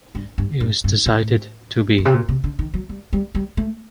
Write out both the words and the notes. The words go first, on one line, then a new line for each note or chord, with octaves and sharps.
It was decided to be.
G2
G2
G2
G2
A2
G2
C3
A#2
C3
D3
D#3
F#3
G3
G3
G3
A3